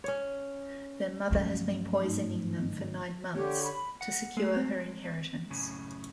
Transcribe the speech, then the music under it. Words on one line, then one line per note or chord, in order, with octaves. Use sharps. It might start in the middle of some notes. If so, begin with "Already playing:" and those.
Their mother has been poisoning them for nine months to secure her inheritance.
C#4 C#5
G2 F3 F#3 A3 C#4
G#2 A3 D#4
D#3
D3 G4 C#5
B5
F#5
G#3 A3
C4
F#2 A2 C#3